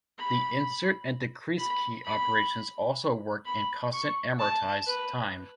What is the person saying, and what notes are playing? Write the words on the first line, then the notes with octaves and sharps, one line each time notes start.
The insert and decrease key operations also work in constant amortized time.
B5
B5
B5
B5
C#6
A5
B4